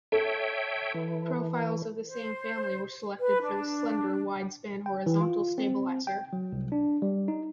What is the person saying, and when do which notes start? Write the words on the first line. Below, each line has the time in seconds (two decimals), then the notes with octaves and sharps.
Profiles of the same family were selected for the slender, wide-span horizontal stabiliser.
0.12 A4 C#5 E5 G5
0.94 E3
2.08 C5
3.19 B4
3.42 D4
4.86 G5
5.06 E3
5.21 F4
5.58 C4
6.07 G5
6.33 F#3
6.52 C2
6.72 D4
7.02 G3
7.28 D#4